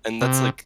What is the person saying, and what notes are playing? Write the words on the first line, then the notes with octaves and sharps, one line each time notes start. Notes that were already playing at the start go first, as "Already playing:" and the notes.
and that's, like,
C3